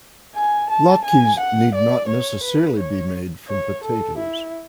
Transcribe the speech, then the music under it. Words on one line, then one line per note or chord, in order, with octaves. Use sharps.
Latkes need not necessarily be made from potatoes.
G#5
A5
G#5
F#5
D5
C#5
B4
C#5
C#5
A4
E4